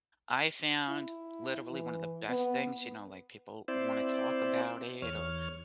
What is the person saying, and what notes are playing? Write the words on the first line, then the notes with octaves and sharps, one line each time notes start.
I found literally one of the best things, you know, like people wanna talk about it or
E4
E3
B3
C4 E4 C5 D5
E2 C#5 F6